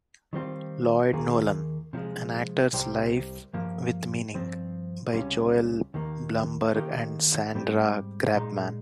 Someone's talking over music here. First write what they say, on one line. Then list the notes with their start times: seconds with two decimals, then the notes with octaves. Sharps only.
"Lloyd Nolan: An Actor's Life With Meaning," by Joel Blumberg and Sandra Grabman.
0.33 D#3 G3 C4 F4
1.12 D#2 D#3 A#3 F4 G#4
1.93 C3 F3 G#3
2.73 C2 C3 G3 C4 G4
3.53 G2 F3 A#3
4.34 G2 F3 C4
5.13 C#2 C3 G3 C#4 F4
5.94 D#2 D#3 A#3
6.74 D#3 A#3 D#4 G4
7.55 G#2 G3 C4 G4
8.35 A#2 G#3 D#4